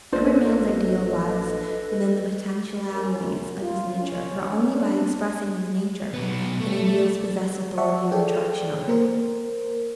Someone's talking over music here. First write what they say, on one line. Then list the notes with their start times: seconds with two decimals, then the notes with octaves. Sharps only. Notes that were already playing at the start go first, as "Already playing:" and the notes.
Every man's ideal lies within the potentialities of his nature, for only by expressing his nature can ideals possess authority or attraction over him.
0.13 A1 A#3 D4 F4 A4 B4 C5 D#5
2.91 F#2
3.62 F4
4.01 C#4
4.73 D4
6.14 B1 B3
6.60 A3
7.78 D5 E5 F#5 A5 C#6
8.12 G#4 A4 C#5 D5 G5
8.88 A#3 A#4 C5